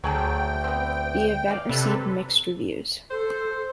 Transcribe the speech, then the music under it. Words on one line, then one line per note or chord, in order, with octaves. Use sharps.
The event received mixed reviews.
D2 F#3 G#4 G5 A5
B3 C4
D5 F5
C3 A4 B4
A4 C5